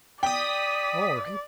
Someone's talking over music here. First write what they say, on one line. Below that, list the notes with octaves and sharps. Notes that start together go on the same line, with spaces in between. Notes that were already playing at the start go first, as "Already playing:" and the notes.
'All right.
D5 G5 D#6 B6